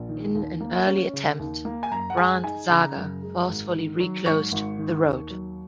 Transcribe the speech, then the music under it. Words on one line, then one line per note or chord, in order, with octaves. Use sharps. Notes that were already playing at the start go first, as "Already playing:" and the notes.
In an early attempt, Grand Saga forcefully reclosed the road.
Already playing: A#1
D#3
D#2
A#3
C#4
C#3
D#2
A#3
G#5
F#2 A#5
F#5
G#3 G#5
D#4 G#5
C#3 A#5
F#2
G#3
G#1
D#3
F#3
G#2 C#6
G#1
D#3
D#2
F#3